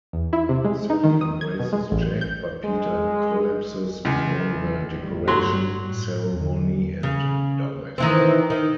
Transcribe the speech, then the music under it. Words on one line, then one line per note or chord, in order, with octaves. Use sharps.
Sally embraces Jack, but Peter collapses before the decoration ceremony and dies.
E2
E4
C3
G#3
D#4
D#3
D#6
G#6
B2
G#3
A1
G6
G#3
C#2 E3
G1 A2 G3
F#3 C6
A2
E2 D3
C#3
D#3 E3 C4
D#3